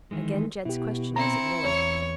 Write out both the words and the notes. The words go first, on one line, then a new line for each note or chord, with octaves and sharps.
Again Jed's question was ignored.
D#3 E3 G#3
B2 E4 G4
C4 E4 A#5 C#7
E2 C#5